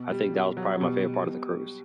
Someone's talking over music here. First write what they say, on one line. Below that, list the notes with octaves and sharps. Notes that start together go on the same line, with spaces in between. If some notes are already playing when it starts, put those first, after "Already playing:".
I think that was probably my favorite part of the cruise.
Already playing: B2
G3
B2 G3
F#3
B2 G3
B2